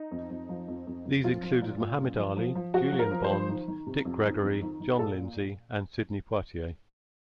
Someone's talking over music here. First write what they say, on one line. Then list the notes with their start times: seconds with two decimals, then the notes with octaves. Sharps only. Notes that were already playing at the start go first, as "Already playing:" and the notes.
These included Muhammad Ali, Julian Bond, Dick Gregory, John Lindsay and Sidney Poitier.
Already playing: D#4
0.11 F2
0.30 F2
0.49 F3
0.68 F2
0.87 F2
1.05 F2
1.24 F3 F4
1.43 F3
1.62 A#2
1.80 A#2
1.99 F#2
2.17 F3
2.37 F3
2.55 F3
2.74 F3 F#4
2.92 F3
2.99 A#4
3.11 F3
3.24 C5
3.31 F3
3.49 D#3
3.68 D#3
3.87 C3
4.05 F2
4.24 D#3
4.43 F2
4.62 D#3
4.80 D#3
4.99 A#2 A4